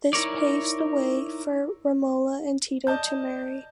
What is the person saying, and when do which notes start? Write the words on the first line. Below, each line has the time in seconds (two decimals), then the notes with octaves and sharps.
This paves the way for Romola and Tito to marry.
0.13 D#4 E4 A#4 C#5 D5
2.87 D5 D#5 A5 G6